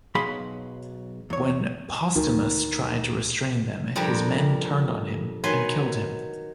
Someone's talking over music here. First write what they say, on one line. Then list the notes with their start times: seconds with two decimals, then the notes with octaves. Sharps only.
When Postumus tried to restrain them, his men turned on him and killed him.
0.15 B1 F#3 G#4 F5 B5 C6
1.30 E2 C#5
2.15 D2 D#3
3.96 F2 G3 D4 G4 A#4 B5
5.44 D#3 F#3 B4 G#5 C6